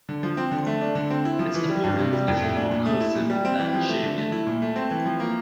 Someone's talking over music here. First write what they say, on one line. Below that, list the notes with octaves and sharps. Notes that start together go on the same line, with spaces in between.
Its appearance is more cursive than Shavian.
D3
F3
C4
D3
A3
D4
D3
C4
E4
F3
E3
G3
G2
C3
G3
F2
A3
D4
A#2
A3
E4
A#2
G3
C4
E3
F3
A3
D3
A3
E4
A#2
A3
C4
E3
F3
A#3